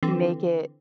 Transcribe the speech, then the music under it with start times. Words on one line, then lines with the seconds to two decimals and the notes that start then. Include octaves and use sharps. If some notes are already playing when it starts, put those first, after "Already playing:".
make it
0.03 D3 E3 C4